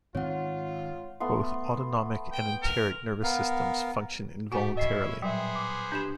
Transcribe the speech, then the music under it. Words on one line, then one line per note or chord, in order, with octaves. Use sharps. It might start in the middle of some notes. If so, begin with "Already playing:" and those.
Both autonomic and enteric nervous systems function involuntarily.
G#2 D#3 C4 F4 C#5 F#5
A3 B3 C6
G5
A#4
B3 A#4 F5
A2 A3 F#4 G4 F#5 G#5
C#4 E4 D#5 E5 C7
A#2 F#3 G3 B3 G#4 C5 E5 G5
D6
D4 G4 B5 G6 E7